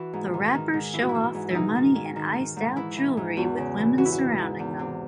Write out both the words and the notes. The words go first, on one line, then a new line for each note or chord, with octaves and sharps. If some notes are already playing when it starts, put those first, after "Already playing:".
The rappers show off their money and "iced out" jewelry with women surrounding them.
Already playing: E3 F#4
G#2
D#3
D#3
G#2
E3 E4
F#4
E4
E3
G#2
D#3 D#4 E4
D#3
G#2
D#3
D#3
G#2
E3 E4
E3
G#2
E2 F#4
C#3
E3
E3 F#4
E4
F#4
E3
G#2
E2
C3